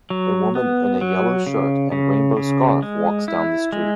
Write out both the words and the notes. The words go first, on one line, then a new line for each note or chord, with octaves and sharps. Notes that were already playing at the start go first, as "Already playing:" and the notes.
A woman in a yellow shirt and a rainbow scarf walks down the street.
F#3
B3
F#3
C#3
C#3
C#3
G#3
E4
G#3